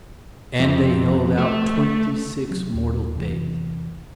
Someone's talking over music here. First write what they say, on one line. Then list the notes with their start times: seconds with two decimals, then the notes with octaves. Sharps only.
And they held out twenty-six mortal days.
0.59 F2
1.38 A3
2.51 F#3
2.74 D#2
3.16 E2 C3 E3